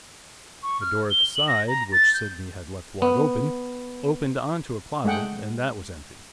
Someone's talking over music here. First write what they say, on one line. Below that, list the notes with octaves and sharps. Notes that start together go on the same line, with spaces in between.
The door at the side, which Sydney had left wide open, opened on to a closet, and that was empty.
C#6
F6
G7
F#7
A#6
A#5
A6
G6
B3
G#3 A3 G#4 F#5 G5